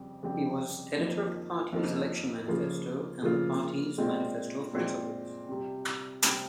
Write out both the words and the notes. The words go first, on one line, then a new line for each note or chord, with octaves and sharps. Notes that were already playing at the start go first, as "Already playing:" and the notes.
He was editor of the party's election manifesto and the party's manifesto of principals.
Already playing: F2 C#3 G3 C4 G4
F2 C#3 G3 C4 G4
F2 D#3 A#3 F4
F2 D#3 A#3 F4
C#3 F3 A#3 F4
C#3 F3 A#3 F4
A#2 G#3 C4 F4
A#2 G#3 C4 F4
C3 G3 C4
C3 G3 C4